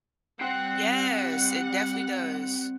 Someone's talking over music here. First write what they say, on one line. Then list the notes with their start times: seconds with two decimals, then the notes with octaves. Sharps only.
Yes, it definitely does.
0.41 G3 C4 F#5 G5